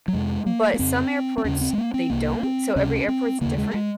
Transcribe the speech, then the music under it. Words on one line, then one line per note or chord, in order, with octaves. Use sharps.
but some airports, they don't, so every airport's different,
F#3
F2 C3 G#3
A#3
A#3
F2 C#3 C4
C4
D#2 C#3 C#4
C4
G#3
A#3
C4
C2 C3 A#3
C4
C#2 C3 C#4
C4
D#2 C#3 A#3
G#3
G#3